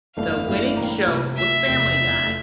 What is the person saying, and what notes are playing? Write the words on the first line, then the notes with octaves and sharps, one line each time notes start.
The winning show was Family Guy.
G1 F2 E3 A3 D4 F5
A1 G2 E3 A3 D4
A2 E3 G3 A#3 D4
C2 C3 F3
D2 C3 F3 E5
F1 E2 C3
F1 E2 D3 F3
A3